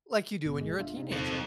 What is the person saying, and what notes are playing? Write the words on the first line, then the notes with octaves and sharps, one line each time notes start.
Like, you do when you're a teenager.
G1 B2
G#3
D4 F4 E5
C3 D#4
C4 A4